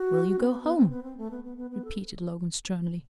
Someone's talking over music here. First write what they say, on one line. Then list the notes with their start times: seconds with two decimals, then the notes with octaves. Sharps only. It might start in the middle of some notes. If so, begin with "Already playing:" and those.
"Will you go home?" repeated Logan sternly.
Already playing: F#4
0.39 C4
0.50 B3
0.63 B3
0.76 C4
0.90 B3
1.03 C4
1.17 A3
1.31 B3
1.44 B3
1.57 B3
1.71 B3
1.85 A4